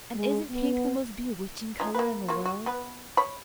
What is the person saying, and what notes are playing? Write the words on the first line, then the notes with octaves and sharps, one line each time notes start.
And isn't pink the most bewitching color in the world?
G#3
B3
C#4 D#4 F4
A#3 B4
A#3 F4 F#4
F#4
B3 B4
C#5 B5